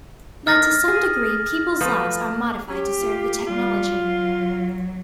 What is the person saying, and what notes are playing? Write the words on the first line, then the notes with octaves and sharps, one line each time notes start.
That to some degree peoples lives are modified to serve the technology.
A2 D#3 F6 A6 A#6
G#4
F3 A3 B4
C#4 G4
F4
G3 F4
F#3